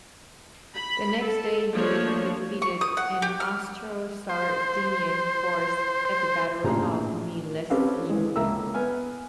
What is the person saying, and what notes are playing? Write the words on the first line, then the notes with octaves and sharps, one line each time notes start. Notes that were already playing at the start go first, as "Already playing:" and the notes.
The next day he defeated an Austro-Sardinian force at the Battle of Millesimo.
B5
A4
F3 A3 A#3 D4 C#5
C#6
D#6
F#5
G4
F6
C5
C5
A1 A#2 D4 G#4 A#5
C4 C#4 G4 A4 B4 F5
E3 G#3
C#2 A#3 A4 E5 A#5 E6
B3 G#5 F6